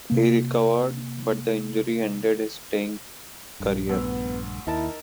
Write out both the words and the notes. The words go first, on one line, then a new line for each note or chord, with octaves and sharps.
He recovered, but the injury ended his playing career.
C3 A#3
A#1 G2
D2 B3 E6
D#2 D#4 E4 A#4 A5